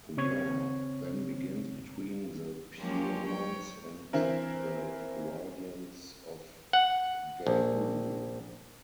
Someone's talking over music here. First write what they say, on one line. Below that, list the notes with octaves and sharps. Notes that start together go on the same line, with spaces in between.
A war then begins between the Pure Ones and the Guardians of Ga'Hoole.
C#3 C4 C#5 C#6 G#6
F3 F#3 G#3 A#3 C#4 G4
C#5 G5
E3 C4 E4 A#4
F#5
A#1